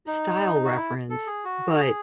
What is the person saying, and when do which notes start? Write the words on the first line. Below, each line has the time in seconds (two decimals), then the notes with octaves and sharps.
style reference, but,
0.07 D#4
0.65 F#4
0.76 E4
1.10 A4
1.27 G#4
1.45 F#4
1.79 G#4